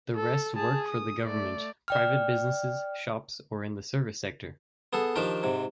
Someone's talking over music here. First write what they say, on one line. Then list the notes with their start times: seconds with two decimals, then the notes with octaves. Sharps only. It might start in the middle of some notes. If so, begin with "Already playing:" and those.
The rest work for the Government, private businesses, shops or in the service sector.
0.15 A4
0.56 G#4 A5
0.89 D#6
1.25 A3 D5
1.88 D5 G5 F6
4.93 B3 G#4 A4
5.16 D#3 F3 D4 G4
5.43 G#2 C3